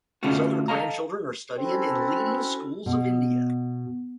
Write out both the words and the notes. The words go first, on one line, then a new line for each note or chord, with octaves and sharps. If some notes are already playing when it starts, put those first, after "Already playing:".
His other grandchildren are studying in leading schools of India.
D3 A3 C#4 F4 F#4
A4 A#4 D#5 F5 A#5
C4 C#4 E4 F#4 A4
B2